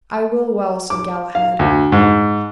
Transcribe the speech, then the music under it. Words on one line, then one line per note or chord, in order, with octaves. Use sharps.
I will well, said Galahad.
D6
F5
D2
G#2